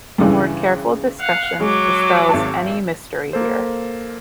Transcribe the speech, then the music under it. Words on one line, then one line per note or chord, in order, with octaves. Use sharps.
A more careful discussion dispels any mystery here.
G2 C#3 E3
F5 F#5
F#3 G#3 D6
G#1 A5
A#3 A4 C5